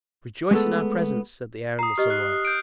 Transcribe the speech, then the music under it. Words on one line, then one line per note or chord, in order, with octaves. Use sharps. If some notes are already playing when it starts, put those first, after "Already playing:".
"Rejoice in our presence!" said the Air and the Sunlight.
G#3 A3 B3 G#4 A4
A#5 D#6 C7
G4 D#5 F6
F#6 C7
G6 D7